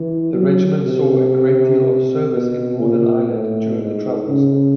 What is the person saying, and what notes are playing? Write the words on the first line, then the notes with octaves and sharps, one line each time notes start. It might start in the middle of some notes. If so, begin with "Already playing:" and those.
The regiment saw a great deal of service in Northern Ireland during the troubles.
Already playing: E3
F#3
C3
B2
A#2
A2
G#2
C#3